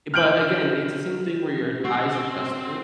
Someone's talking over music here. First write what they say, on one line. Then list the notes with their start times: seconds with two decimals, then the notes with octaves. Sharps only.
But again, it's the same thing where your eyes adjust to it.
0.14 F6 G6 D7 F#7
1.84 C4 F#4 E6